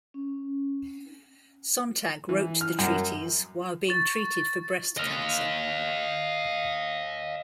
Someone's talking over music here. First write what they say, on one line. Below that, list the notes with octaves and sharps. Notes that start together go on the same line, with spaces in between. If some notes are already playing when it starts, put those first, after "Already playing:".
Sontag wrote the treatise while being treated for breast cancer.
C#4
E3
F6
F#2
C#6 A6
D#5 F5